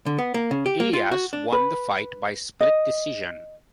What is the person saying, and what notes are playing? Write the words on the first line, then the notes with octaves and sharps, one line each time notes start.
Ilias won the fight by split decision.
D3
B3
A#3
C#3
G4
A#3
F4
F#4
D4
B4
D#5